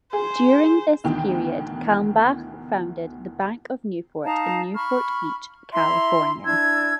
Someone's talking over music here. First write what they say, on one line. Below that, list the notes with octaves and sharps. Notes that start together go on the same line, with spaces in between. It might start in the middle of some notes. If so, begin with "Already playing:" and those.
During this period Kalmbach founded the Bank of Newport, in Newport Beach, California.
G#4 C5
D2 B2 D#3 E3 G5
D#4 F5 A5 A#5
B5 C#6 F6
E4 E5 A#5 C6
D4 E4 E6 G#6